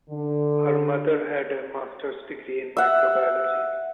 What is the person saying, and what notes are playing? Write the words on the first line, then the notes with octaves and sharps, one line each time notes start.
Her mother had a master's degree in microbiology.
D3
E5 F#5